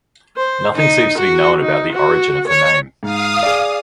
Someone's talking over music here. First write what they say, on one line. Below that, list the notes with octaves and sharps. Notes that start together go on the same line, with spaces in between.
Nothing seems to be known about the origin of the name.
C5
D#4
F#4
D#4
F#4
C#5
G#2 F5 D#6
G#4 D5